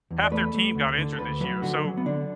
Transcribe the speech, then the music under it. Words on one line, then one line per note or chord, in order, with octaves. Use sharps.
half their team got injured this year, so
E2
D5
A3 B4
A3
D2
D3
A4
D2 B4
F#3 B4
D3 F#4
F#3
B3
D3 D4